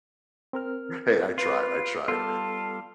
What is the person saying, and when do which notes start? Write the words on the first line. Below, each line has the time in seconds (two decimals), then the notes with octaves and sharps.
Hey, I tried, I tried.
0.53 C4 A#4 F6
1.38 F4 B4
2.08 G3 B3 F4 A4 A5 E6